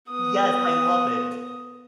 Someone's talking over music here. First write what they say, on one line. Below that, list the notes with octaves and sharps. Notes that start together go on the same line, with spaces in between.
Yes, I love it.
B3 D#6